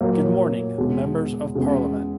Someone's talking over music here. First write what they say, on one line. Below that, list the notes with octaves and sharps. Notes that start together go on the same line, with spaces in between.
Good morning, members of parliament.
A#2 F#3 A#3
E2 B2 G#3
E2 C#3 G#3